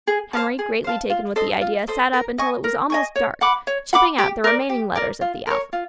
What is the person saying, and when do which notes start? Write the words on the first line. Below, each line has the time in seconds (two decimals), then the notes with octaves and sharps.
Henry, greatly taken with the idea, sat up until it was almost dark, chipping out the remaining letters of the alphabet.
0.07 G#4
0.33 C5 F5 A5
0.59 G#4
0.84 C5 F5 A5
1.10 F4
1.36 A4 C5 D#5
1.61 F4
1.88 A4 C5 D#5
2.13 A#4
2.38 D#5 G#5 C#6
2.64 A#4
2.90 D#5 G#5 C#6
3.16 C#5
3.41 F#5 B5 D6
3.67 C#5
3.93 F#5 B5 D6
4.18 G4
4.44 A#4 D5
4.69 G4
4.95 A#4 D5
5.21 F4
5.47 A#4 C#5
5.73 F4